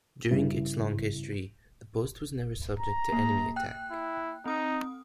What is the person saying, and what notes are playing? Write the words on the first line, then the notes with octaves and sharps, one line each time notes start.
During its long history, the post was never subject to enemy attack.
G2 C#3 E4
A#5
A#3
G5 F#6
E4
C4 D#4 D#6